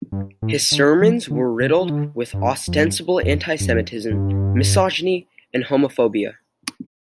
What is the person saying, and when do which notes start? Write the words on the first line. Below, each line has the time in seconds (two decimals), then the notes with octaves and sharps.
His sermons were riddled with ostensible anti-Semitism, misogyny, and homophobia.
0.12 G2
0.42 A2
0.72 D3
1.01 F3
1.31 D3
1.60 C3
1.79 F3
1.90 D3
2.34 G2
2.68 F2
2.78 G2
3.23 F2
3.60 G2
3.67 F2
4.11 G2